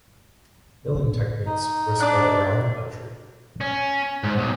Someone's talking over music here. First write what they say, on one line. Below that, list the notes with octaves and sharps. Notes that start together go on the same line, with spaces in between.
Milling techniques were spread around the country.
D#4
D4 D6 F#6
C#4
G#2
B1